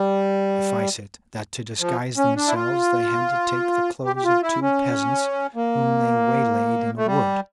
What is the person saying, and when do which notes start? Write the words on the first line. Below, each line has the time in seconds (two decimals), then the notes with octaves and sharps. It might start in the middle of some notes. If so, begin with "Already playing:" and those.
Suffice it that to disguise themselves they had to take the clothes of two peasants, whom they waylaid in a wood.
Already playing: G3
1.80 F3
2.17 C#4
2.36 D4
2.47 E4
2.55 F4
4.05 G4
4.16 G4
4.24 F4
4.43 E4
4.62 C#4
5.55 A#3
6.97 A3
7.07 G3